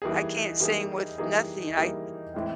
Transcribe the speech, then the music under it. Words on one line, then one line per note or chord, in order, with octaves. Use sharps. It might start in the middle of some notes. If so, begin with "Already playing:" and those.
I can't sing with nothing, I
E3 G3 A#3 D#4 G#4
E3 G3 A#3 D#4 G#4
E3 G3 A#3 D#4 G#4
E3 G3 A#3 D#4 G#4
A2 E3 G#3 C4